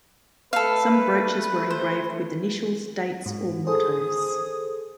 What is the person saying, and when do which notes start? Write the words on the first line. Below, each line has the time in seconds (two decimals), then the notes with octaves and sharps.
Some brooches were engraved with initials, dates or mottoes.
0.53 A3 A4 B4 F5
1.71 C5
3.26 G#2
3.67 G#4 A4 C5 D#6